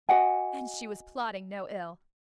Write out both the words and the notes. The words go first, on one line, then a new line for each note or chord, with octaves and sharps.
And she was plotting no ill.
F#4 D#5 F#5 G#5